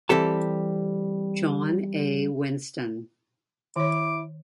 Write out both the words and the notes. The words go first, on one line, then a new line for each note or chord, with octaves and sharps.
John A. Winston.
E3 G3 C4 G4 A4 A5
D#3 E4 C#5 D6